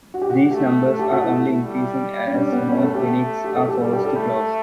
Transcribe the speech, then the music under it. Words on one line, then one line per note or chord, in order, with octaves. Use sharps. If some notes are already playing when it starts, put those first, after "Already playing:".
These numbers are only increasing as more clinics are forced to close.
F#4
G4
F#4
A3 G4
A3 A4
G4
F#4
E4
G3
C#4
G3 D4
B3
A3 C#4
A4
G4
G4
A4
G4
G3 A4
G4
A4
A3